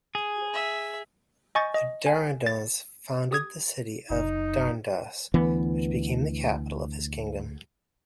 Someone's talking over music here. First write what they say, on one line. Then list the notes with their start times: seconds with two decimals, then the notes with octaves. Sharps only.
There Dardanus founded the city of Dardanus which became the capital of his kingdom.
0.15 G#4
0.53 E5
1.55 D#5 G#5 C#6 G6 A6
1.74 D#5
2.06 G#5
2.46 A6
3.31 G4 D#6 G#6
4.10 F#1 D#4
5.34 D2 E3 B3